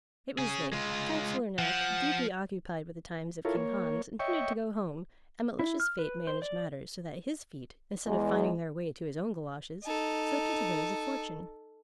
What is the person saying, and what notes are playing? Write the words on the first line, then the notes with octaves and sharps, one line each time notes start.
It was late; Councillor Knap, deeply occupied with the times of King Hans, intended to go home, and malicious Fate managed matters so that his feet, instead of finding their way to his own galoshes, slipped into those of Fortune.
C#4 G#4
G#3 F4
F3 F#5
E4 F4 A4 A#4 C#5
A#3 C#5
C#5 D#5 E5 G5 C#6
E4
F6
B4
C5
D5
E2 G#3
D#4 A4